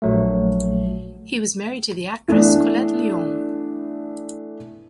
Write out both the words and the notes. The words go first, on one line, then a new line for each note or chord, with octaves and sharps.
He was married to the actress Collette Lyons.
A#1 F#3 A3
E3 A3 B3 D4